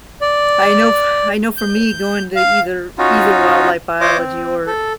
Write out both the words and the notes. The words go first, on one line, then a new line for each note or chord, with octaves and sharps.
I know, I know for me going to either either Wildlife Biology or
D5
G6
F5
C#4 D#4 F4 F#4
F4 C5 C#5 D#5 D6
C4
A4